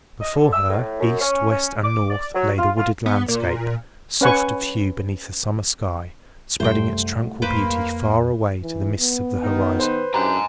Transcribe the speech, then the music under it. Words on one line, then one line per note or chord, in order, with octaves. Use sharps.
Before her, east, west, and north, lay the wooded landscape, soft of hue beneath the summer sky, spreading its tranquil beauty far away to the mists of the horizon.
D#5
D3
E6
A2
F#2
C#4
C#4
D6
D5
F#3
F4
F4
B3
A#2
C#4 B4 F#5 G#5 C#6
C2 F#2 A3 C5 G5
F2 A#3 B4 C5 D6
E3
B3
D#3 D#4
B4 C5
F#2 D4 E4 G4 G#5 A#5